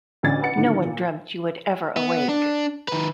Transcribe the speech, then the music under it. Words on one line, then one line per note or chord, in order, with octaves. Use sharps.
No one dreamt you would ever awake.
A1 D2 D3 C#4 D5 A6
B4 F#5 C#7
A2 D3 D#3 F3
A#2
B3
D4
D#3 B4